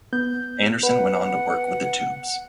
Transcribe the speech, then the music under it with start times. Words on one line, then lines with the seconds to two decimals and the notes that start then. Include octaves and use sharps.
Anderson went on to work with the Tubes.
0.13 B3 G6
0.83 B4 F#5